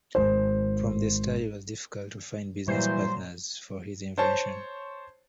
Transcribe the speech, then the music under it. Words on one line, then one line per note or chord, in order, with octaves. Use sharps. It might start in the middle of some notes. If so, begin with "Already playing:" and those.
From the start it was difficult to find business partners for his invention.
G#1 C5
A#2 E3 F#3 G3 C5
C5 C#5 A5